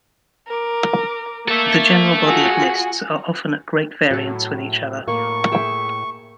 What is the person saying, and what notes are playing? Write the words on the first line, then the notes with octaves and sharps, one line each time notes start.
The general body of lists are often at great variance with each other.
A#4 D6
A#3 A4 E5
F4 F#4 G#4
A2 F#3 A4
A2 A#3 C#6
G#4 E5 G5